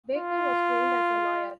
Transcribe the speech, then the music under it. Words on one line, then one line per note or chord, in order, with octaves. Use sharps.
Baker was trained as a lawyer.
F4